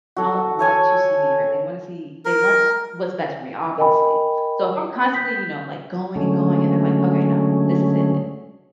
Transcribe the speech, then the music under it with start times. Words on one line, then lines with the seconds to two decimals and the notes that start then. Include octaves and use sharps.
don't want to see me hurt. They wanna see they want what's best for me, obviously. So, if I'm constantly, you know, like, going and going and they're, like, "Okay, no, this is it it."
0.16 F#4 A4
0.59 A4 C#5 G#5 C#6
2.25 A#4
3.78 A#4 D#5 G5 G#5 B5
5.14 G6 B6
6.16 D3 F#3 G#3 A3 C#4